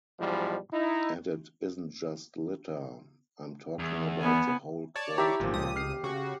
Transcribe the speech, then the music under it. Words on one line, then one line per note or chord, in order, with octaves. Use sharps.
And it isn't just litter: I'm talking about the whole quality of life.
G#2 B2 E3 F3 G3
D#4 E4
E2
B3 G#5
C#5 D5 A5
E4 G4 E5 A#5
G#1 A#2 F3
C#2 D#6
F6 C7
C#3 F#4